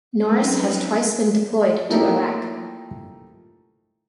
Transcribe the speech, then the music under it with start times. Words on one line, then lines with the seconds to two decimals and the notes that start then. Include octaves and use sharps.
Norris has twice been deployed to Iraq.
0.18 F#3 C4 C#4 D#4 B4
1.89 F3 A3 A#3 D#4 E4 G4